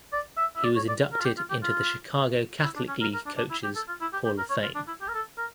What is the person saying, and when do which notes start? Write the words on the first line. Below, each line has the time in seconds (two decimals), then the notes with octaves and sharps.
He was inducted into the Chicago Catholic League Coaches Hall of Fame.
0.12 D5
0.37 E5
0.56 E5
0.64 D5
0.76 C#5
0.88 D5
1.13 A#4
1.20 F4
1.25 G4
1.37 F4
1.50 G4
1.63 F4
2.64 E4
2.76 D4
2.88 C#4
3.01 A#4
3.14 A#4
3.26 D4
3.37 D4
3.50 E4
3.64 G4
3.76 A4
3.88 F4
4.01 E4
4.13 G4
4.25 G4
4.38 A#4
4.50 C#5
4.63 F4
4.75 D4
4.87 E4
5.01 G4
5.08 A#4
5.14 A4
5.38 A#4